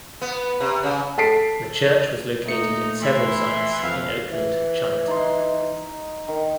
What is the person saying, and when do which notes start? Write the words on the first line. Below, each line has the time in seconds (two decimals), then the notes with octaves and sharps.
The church was located at several sites in Oakland Chinatown.
0.21 B3
0.60 C3
0.83 C#3
1.18 A4 A5 B6 C7 D7
2.46 A#2 A3 D#4 C#7
3.02 E3 E5 C6
3.83 F2 F3 F5
4.31 E3
5.08 D#4 C6
6.28 D#3